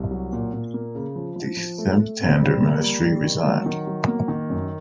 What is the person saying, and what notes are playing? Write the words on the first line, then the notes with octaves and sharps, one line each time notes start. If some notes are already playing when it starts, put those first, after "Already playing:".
The Themptander ministry resigned.
Already playing: C2
F#3
A#2
A#2
A#3
C#3
F3
F3
F3
A3
A3
C4
G3
A#3
G3
G3
D#3
F#3
D#3
F#3
A#3
D#3
F#2